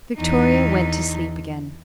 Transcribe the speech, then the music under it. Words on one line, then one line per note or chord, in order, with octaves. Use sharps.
Victoria went to sleep again.
E2 D#4